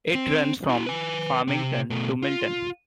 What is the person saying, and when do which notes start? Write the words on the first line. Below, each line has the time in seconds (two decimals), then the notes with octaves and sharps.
It runs from Farmington to Milton.
0.15 C4
0.69 E4 F#4
0.86 B4 G#5
1.48 C3 C4
1.90 B2 A3
2.23 F4